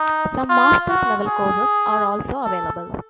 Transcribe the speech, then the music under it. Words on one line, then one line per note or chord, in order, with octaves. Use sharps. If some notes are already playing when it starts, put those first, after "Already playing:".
Some Masters Level courses are also available.
Already playing: D#4
F4
F#4
G#4
A4